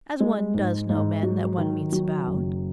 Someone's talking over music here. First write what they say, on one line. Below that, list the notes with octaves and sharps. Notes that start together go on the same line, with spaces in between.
"As one does know men that one meets about."
G#3
G#2
G#2
F#3
D#3
F#3
F#1